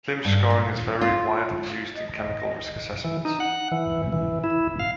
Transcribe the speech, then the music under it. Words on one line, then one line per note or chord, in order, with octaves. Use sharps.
Klimisch scoring is very widely used in chemical risk assessments.
G2
A#2
F4
D#5
E3
D#4
F#5
E3
E3
E4
F5